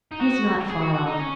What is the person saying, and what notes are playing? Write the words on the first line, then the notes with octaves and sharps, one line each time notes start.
He is not far off....
D#4
F#4
G#4
F#4
F#4
D#4
C#4